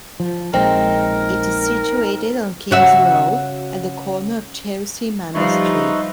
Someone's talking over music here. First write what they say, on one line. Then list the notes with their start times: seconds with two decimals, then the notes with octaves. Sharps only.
It is situated on King's Road, at the corner of Chelsea Manor Street.
0.20 F3
0.53 A#1 G#3 C4 D#4 A#4
2.71 C#3 F#4 E5
5.35 F3 G3 D#4 B4 E5 C#6